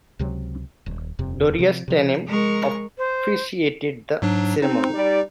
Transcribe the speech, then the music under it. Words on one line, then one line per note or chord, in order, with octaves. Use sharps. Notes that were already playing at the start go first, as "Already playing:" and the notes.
Gloria Steinem officiated the ceremony.
C#2 C3 F#3
D#1
D#1 F2 C3
C3 F3
C3 F3
G#3 A#4 C#6
C5
G#2 F#3 D4
C4 D#4
G3 D5